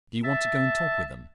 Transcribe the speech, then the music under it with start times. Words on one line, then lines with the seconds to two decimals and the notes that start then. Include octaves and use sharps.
"Do you want to go and talk with them?"
0.23 E5 A5